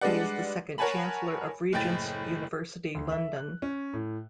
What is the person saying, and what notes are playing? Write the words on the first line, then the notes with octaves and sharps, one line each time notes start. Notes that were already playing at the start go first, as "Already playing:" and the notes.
He is the second Chancellor of Regent's University London.
G3 G#3 D4 B4 D5 F#5
A#4 C#5 F#5 G#5 A5 B5
F#1 A2 G5 A6
D2
E5
F#6
C#4
A2